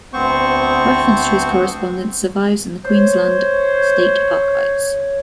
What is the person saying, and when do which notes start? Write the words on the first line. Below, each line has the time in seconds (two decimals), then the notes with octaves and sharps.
Reference to his correspondence survives in the Queensland State Archives.
0.13 D2 B3 C4 C5 C#6
2.85 C5 C#5